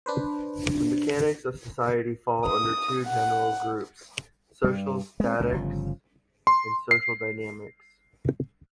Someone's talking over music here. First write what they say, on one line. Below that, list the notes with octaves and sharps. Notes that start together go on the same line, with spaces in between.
The mechanics of society fall under two general groups: social statics and social dynamics.
D4 B4 C5
D#6
F#5
G2 G3
G#3 C4
C#2 A#2 C#3
G1 C#3 F3
C6
C7